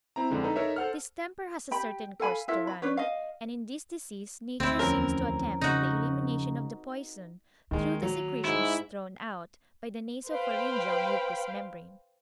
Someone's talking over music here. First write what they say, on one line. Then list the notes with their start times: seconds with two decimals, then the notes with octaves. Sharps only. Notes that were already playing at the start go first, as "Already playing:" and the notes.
Distemper has a certain course to run, and in this disease Nature seems to attempt the elimination of the poison through the secretions thrown out by the naso-pharyngeal mucous membrane.
0.16 C4 E4 A#5
0.30 F2 D3 G#3
0.44 D#4 A4 B4 A#5
0.56 D#4 A4 A#4 C#5 E5
0.76 A4 C5 F#5 F6
1.71 G4 G5 B5
2.20 A4 F5 G#5 B5
2.48 E4 F4 A4 E5
2.67 B5
2.82 C#4 D4 B4 C#5
2.97 D#5 F5
4.60 D2 C4 E4
4.79 E2 F3 C#4 A#4
5.61 C#3 D#4 F#4
7.71 D#2 D#3 G#3
8.03 F#3
8.45 G#2 E4
10.29 B4 C5 F5 G5